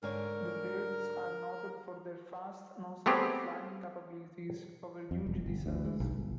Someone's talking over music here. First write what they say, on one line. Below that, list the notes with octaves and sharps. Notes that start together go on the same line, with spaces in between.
The birds are noted for their fast, non-stop flying capabilities over huge distances.
G#2 D3 A#4 C#5
A3 B3 C4 G4 G#4
F2
E1
G1
D2
G#3
B1
G1